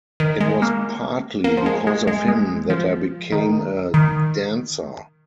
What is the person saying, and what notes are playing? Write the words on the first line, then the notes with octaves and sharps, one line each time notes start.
It was partly because of him that I became a dancer.
D#3
G#3
A#3
A#3
F3
G#3
G#3
G#3
G#3
F3
D#3
D#3